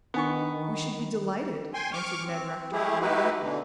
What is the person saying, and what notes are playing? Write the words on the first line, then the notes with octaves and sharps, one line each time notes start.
"We should be delighted," answered Ned Rector promptly.
D#3 B3 D4 B5 C#6
G5 G#5 C6
C#6 D6 F6
C4
G#3 A3 E4 G4 G#4
A3 D#4 E4 F#4 G4 B4
B2 D3 E3